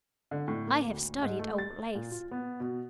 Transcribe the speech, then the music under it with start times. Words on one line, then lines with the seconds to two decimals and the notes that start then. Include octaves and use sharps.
I have studied old lace.
0.31 D3
0.48 A2
0.67 A#3
0.91 D2
1.22 G#2
1.39 A3
1.58 A6
1.95 A#2
2.11 F4
2.31 B3
2.60 B2